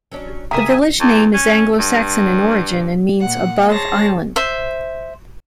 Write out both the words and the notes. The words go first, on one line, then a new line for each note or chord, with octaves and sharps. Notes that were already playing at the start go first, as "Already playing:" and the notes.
The village name is Anglo-Saxon in origin and means "above island".
F#3 C#4 D4
F#2 C#3 A#3 G4 E5 G#5 A#5 D#6
E2
C#4
G2
A#2 F#5
G#4 C5 C#5 A5 A#6
C5 E5